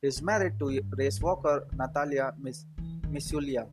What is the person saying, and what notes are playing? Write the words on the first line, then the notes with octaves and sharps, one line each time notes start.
He is married to racewalker Natalya Misyulya.
G#2
G2
C#3
D#3
E3
D#3
D#3
D3